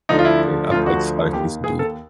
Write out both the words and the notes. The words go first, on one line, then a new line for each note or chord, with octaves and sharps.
but, I finds finds things to do.
D2 D3 F3 D#4
F4
E4
D2 D3 F3 F4
F#4
D#2 D#3 G4
G#4
A4